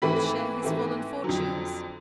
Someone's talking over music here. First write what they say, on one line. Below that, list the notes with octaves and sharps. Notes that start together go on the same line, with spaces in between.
"To share his fallen fortunes?"
G#2 E3 A3 C4 B5 B6
G#2 E3 A3 C4
F2 D3 F#3